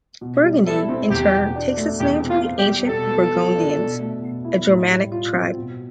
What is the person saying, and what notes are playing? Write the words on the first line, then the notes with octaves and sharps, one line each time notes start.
Burgundy in turn takes its name from the ancient Burgundians, a Germanic tribe.
B2
G3
E4 A4
C4
E2 G4
B2
D4
A3
E2 G4
C3
F4
C4
G4
G3
B2 A4
B3
F4
D4
B2
A3
B2
E4
A2
G3
F4
C4
B2